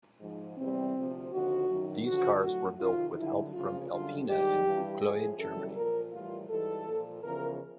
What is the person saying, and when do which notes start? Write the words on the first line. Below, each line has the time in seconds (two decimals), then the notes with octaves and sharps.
These cars were built with help from Alpina in Buchloe, Germany.
0.20 G#2 F3
0.57 E2 C3 E3 G3 C4
0.95 D2 C3 F3
1.31 D#2 D3 F3 F#4
1.69 F#2 D#3 F#3
2.05 G2 D3 F3 F#4
2.43 A2 F#3 F#4
2.79 F2 C3 D#3 F4
3.16 G2 D3 F#3 E4
3.53 D2 C#3 F3 F4
3.90 F#2 D3 G3 F4
4.27 G#2 D#3 G3 G4
4.64 G2 E3 G3
5.01 A2 F3 G#4
5.38 F#2 C#3 E3 G3 A4
5.75 A#2 F3 A#4
6.12 A2 E3 G3 F4
6.49 G#2 E3 G3 A4
6.86 A#2 F3
7.23 E2 C#3 F3 A#4